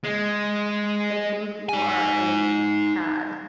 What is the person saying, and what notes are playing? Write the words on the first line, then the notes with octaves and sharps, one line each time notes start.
I think you are a cad.
G#3
D#4 G#5